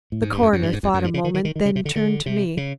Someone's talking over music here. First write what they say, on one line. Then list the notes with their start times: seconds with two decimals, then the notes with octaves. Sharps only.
The coroner thought a moment, then turned to me.
0.12 A2
0.22 G#2
0.32 G2
0.42 F#2
0.53 F#2
0.63 G2
0.73 G#2
0.83 F2
0.94 F#2
1.04 G2
1.14 C#3
1.24 D#3
1.34 D#3
1.45 D#3
1.56 D#3
1.65 C#3
1.76 C3
1.85 D3
1.96 D3
2.26 C3
2.57 C#3